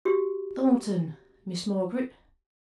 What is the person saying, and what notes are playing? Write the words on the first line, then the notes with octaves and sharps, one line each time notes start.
Thornton, Miss Margaret.
F#4 G4